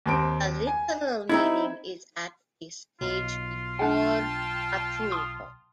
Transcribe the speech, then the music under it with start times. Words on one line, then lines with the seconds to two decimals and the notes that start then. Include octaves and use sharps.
The literal meaning is at a stage before approval.
0.06 D#2 C4 D7
0.67 G#5
1.29 C4 D#4 E4 G#6
3.01 B1 F4
3.79 D4 F#5 G5 A5
5.11 C6 D#6